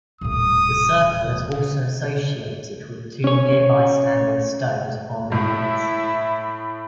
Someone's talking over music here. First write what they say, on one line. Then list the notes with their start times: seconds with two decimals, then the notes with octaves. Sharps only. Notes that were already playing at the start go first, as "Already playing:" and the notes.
The circle is also associated with two nearby standing stones or menhirs.
0.21 D#1 A2 D#6
3.24 C#4 C#5
5.32 A2 E4